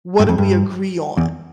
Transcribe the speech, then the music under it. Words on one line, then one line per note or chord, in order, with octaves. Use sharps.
What do we agree on."
G2
F2
G2
E2